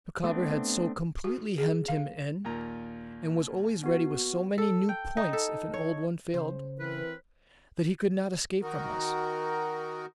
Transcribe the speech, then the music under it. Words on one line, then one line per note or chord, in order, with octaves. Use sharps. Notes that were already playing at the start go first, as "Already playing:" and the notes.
Micawber had so completely hemmed him in, and was always ready with so many new points if an old one failed, that he could not escape from us.
A3 B3 C4 D4
F#4
G#4
F5
D#2 A#2 A#5
B3 F#4
A4
G5
D#4
A4
C#5
C#3 C5
E3 C4 A#4 B4
D#3 D#4 F#4 A#4